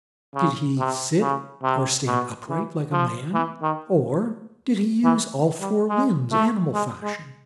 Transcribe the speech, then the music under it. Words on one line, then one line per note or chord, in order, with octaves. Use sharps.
Did he sit or stand upright, like a man? Or did he use all four limbs, animal-fashion?
C#3
C3
C#3
C3
B2
E3
F3
E3
D#3
E3
G3
G#3
A3
G#3
G#3